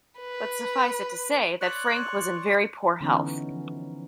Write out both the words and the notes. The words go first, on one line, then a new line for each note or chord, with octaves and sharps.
But suffice it to say that Frank was in very poor health.
B4
C#5 D5 C6 C#6 F#6
D3 E3 F#3 B3 C#4 D#4
F3